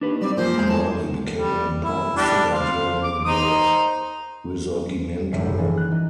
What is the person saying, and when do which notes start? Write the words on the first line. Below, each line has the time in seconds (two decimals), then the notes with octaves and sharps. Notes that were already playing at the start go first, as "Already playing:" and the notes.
Amari became an important figure during the Risorgimento.
0.01 D#2 D4 B4
0.21 F#3 G3 C4 D5
0.37 F#2 A#2 F3 C5
0.55 G#3 G#4
0.68 A2 A5
1.34 G3
1.82 E4
2.17 G3 D4 G4
2.52 C5 F5
3.03 D6
3.25 D#4 C5 D#6
5.33 G#1 F#2 F3 G3 E5 G5
5.46 E4
5.58 E3 G3 A#3 F#4 G#4 A4
5.74 D#6 F#6
5.92 D#4